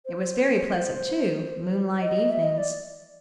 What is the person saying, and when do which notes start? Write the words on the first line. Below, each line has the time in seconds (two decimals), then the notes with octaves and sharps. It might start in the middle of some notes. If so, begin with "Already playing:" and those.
It was very pleasant, too, moonlight evenings.
0.06 C5
2.01 D#5
2.30 E5
2.43 D#5
2.58 D5